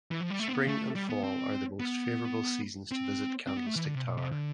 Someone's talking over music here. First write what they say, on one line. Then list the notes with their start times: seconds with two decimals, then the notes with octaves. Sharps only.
Spring and fall are the most favorable seasons to visit Candlestick Tower.
0.11 E3
0.21 F3
0.30 G3
0.39 A3
0.48 C4
0.53 B3
0.68 A3
0.96 G3
1.10 B3
1.23 C4
1.80 B3
2.91 C4
3.47 C4
3.57 B3
3.66 A3
3.76 E3
3.85 D3
3.94 C3
4.04 B2
4.18 C3
4.32 D3